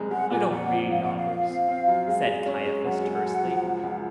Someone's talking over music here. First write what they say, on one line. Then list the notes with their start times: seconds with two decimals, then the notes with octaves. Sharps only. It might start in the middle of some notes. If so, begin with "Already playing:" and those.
"I don't read novels," said Caiaphas tersely.
Already playing: F#1 C2 G#3
0.11 G#3 F#5
0.31 A#2 G#5
0.51 F2 F#5
0.71 F3
0.90 F3 F5
1.02 F#5
1.10 F3
1.15 F5
1.29 F3
1.49 C4
1.68 C4
1.88 F#2
2.08 G#3
2.27 G#3
2.46 C#4
2.66 G#3
2.85 F#2 F#5
3.05 G#3
3.25 F#2
3.44 F3
3.63 C#2
3.83 C#2